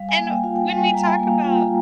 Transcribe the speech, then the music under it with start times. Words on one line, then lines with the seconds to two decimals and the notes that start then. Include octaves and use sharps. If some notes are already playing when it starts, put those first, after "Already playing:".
And when we talk about
Already playing: G3 F5
0.09 G#5
0.18 A#3
0.26 G5
0.44 F4 F5
0.56 G5
0.68 G3 G#5
0.77 G5
0.80 G#5
0.94 G3 A#5
1.10 G#5
1.20 A#3
1.27 F5
1.44 F4 G5